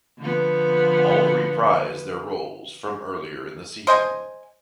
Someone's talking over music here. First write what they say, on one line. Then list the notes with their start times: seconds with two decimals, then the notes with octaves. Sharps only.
All reprise their roles from earlier in the season.
0.19 D3 F3 B3
3.87 C5 D#5 G#5